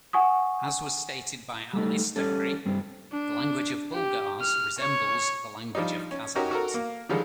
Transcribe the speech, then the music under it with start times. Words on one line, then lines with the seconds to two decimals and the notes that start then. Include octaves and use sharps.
As was stated by Al-Istakhri "the language of Bulgars resembles the language of Khazars".
0.13 F#5 G#5 C#6 D#6
1.73 G3 A3 D#4
2.16 G3 C#4 A4
2.65 G2 G3 C4
3.12 D4
3.92 G4
4.41 F6
4.78 C#5
5.75 F3 G3 D4 D#4
6.11 C#4
6.35 C#4 D#4 F#4 G4 A#4
6.51 F#4 A4 A#4
6.74 A#3
7.09 D3 D#3 F3 G3 G#3 A4